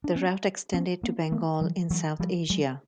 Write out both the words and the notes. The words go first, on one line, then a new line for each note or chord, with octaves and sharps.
The route extended to Bengal in South Asia.
D4
B3 C#4
B3 C#4
A#3 C4
A3 B3
E3 F#3
E3 F#3
F3 G3
F#3 G#3